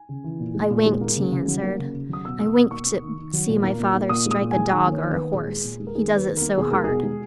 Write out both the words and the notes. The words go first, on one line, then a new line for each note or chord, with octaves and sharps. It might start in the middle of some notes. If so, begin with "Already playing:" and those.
'I winked,' he answered: 'I wink to see my father strike a dog or a horse, he does it so hard.
Already playing: G#5
C#3
E3
A#2
G#3
A#2
G#3
A#3
C#3
C#3
F#3
A#3
C#3
C#3
F#3 D#6
B2 E6
A#3 E6
B2 D#6
A#3 C#6
A#3
D#3
D#3
F#3
A#2
A#3
A#2
A#3
A#2 D#6
G#3
D#6
A#2
G#3 G#5
D#3 G#5
A#3
C#5
D#3
B4
A#3
A#2 G#4
G#3
A#2
G#3
A#4
D#3 G#4
A#3
B4
D#3
A#3 A#4
B2 G#4
G#3 A#4
B2 G#4
G#3